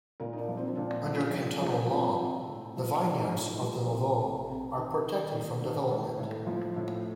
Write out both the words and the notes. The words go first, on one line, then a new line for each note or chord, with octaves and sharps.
Under cantonal law, the vineyards of the Lavaux are protected from development.
A#2 A#4
D#4
D4
F3
C4
A#2 D4
F3
F3
F3
F3 C4
C3
A2
F3
F3 D4
D#4
A2
A4
F3 G4
C3
C3
C3
D#3
D#3
D#3
D#3
A2 A4
A2
F3
A2